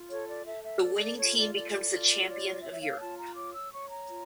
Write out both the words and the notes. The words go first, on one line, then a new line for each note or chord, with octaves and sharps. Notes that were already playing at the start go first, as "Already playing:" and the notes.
The winning team becomes the champion of Europe.
Already playing: F4
A4 C#5
D5
A4 E5
E5
A4 D5
D5
F4 C#5
D5
A4 D5
D5
F4
C#5
C#5 E5
E5
F5
F4 A5
A#5
C#5 D6
E6
C#5 C#6
A#5
F4